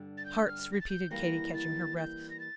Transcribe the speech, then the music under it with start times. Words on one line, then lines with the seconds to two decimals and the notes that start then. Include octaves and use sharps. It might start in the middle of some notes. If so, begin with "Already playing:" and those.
"Hearts," repeated Katy, catching her breath.
Already playing: G2 D3 G3
0.17 A6
0.25 G6
0.46 F6
0.72 A#6
0.80 A6
0.89 G6
1.11 E3 G3 A#3 A#6
1.53 A6
1.96 G6
2.30 A#6
2.39 A6